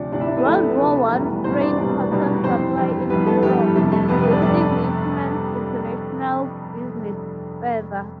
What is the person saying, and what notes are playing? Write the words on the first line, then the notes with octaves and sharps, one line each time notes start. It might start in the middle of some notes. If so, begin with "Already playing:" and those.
World War One strained cotton supply in Europe, boosting Nichimen's international business further.
Already playing: D2 C3 F3 D4 D5
D2 C3 F3 D4 D5
E4 E5
D4 D5
B3 B4
D2 C3 F3 A3 A4
D2 C3 F3 B3 B4
F1 E2 B2 G3
F1 E2 B2 G3 C4 C5
D4 D5
F1 E2 B2 G3 D4 D5
F1 E2 B2 G3
G1 F2 E3 G3 C4 C5
G1 F2 E3 G3
G1 F2 E3 G3 B3 B4
A3 A4
G1 F2 E3 G3 G4
G3 G4
G1 F2 C3 G3 A3 A4
A3 A4
G1 F2 C3 G3 B3 B4
B3 B4
D4 D5
G1 F2 C3 G3 D4 D5